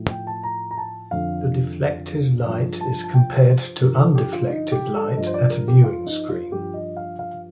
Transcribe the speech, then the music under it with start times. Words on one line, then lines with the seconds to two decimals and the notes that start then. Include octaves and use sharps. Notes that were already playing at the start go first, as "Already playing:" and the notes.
The deflected light is compared to undeflected light at a viewing screen.
Already playing: A2 F3
0.10 G5
0.27 A5
0.43 A#5
0.71 A#5
0.78 A5
1.11 F2 D3 F3 F5
2.46 G2 F3
2.81 A5
3.04 A5
3.14 G5
3.48 C5
3.81 G2 D3 F3 A#4
3.99 A4
4.15 G4
4.33 F4
4.49 D#4
4.72 G4
4.95 A4
5.16 G2 F3 D#5
5.27 C5
5.34 D5
5.50 A#4
5.68 G4
5.84 F4
6.07 D#4
6.29 F4
6.52 G2 F3 G4
6.74 D#5
6.97 F5
7.19 F5